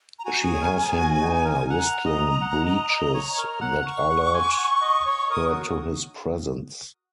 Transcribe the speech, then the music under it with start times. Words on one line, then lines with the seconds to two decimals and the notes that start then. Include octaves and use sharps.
She has him wear whistling breeches that alert her to his presence.
0.19 A#5
0.25 F#4 G#5
0.43 G#4
0.54 C#5
0.61 A#4
0.80 G#4
0.97 F#4
1.21 D#4
1.45 A#4
1.69 F#5 A#5
2.05 D#5
2.41 F#5
2.66 D#5
2.90 D#5
3.14 C#5
3.33 C#5
3.38 A#4
3.61 F#5
3.85 C#6
4.10 F#5
4.34 G#5
4.58 F#5
4.81 D#5
5.06 C#5
5.30 A#4 D#6
5.48 F#4